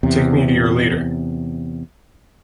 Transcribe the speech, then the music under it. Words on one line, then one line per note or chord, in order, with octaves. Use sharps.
Take me to your leader!
E2 C3